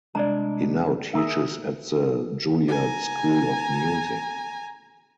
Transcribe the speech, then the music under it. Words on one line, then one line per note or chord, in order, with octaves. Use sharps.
He now teaches at the Juilliard School of Music.
C2 G#3 D4 D5 A#5
G#4 A#4 E5
G#5 A#5